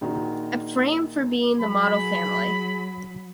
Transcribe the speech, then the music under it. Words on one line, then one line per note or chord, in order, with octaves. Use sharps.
Ephraim for being the model family.
A#1 D#3 D#4 F#4
F#3 G#4 B5